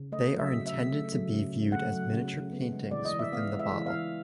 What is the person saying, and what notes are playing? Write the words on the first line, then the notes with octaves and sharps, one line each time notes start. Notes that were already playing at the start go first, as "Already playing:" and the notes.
They are intended to be viewed as miniature paintings within the bottle.
Already playing: C#3
A3 D#5
F#3
E5
C#3
E5
C#3
A3
F#3
C#3
C#3
A3 F#5
F#3
C#3
C#3
B3
G#3
E3 D5
D#5
E3
E5
B3 F5
G#3
E5
E3
F5
E3